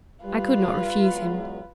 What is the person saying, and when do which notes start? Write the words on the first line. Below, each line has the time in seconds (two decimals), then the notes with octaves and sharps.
I could not refuse him.
0.25 G3 F4 B4
1.08 E2 F#3 G#3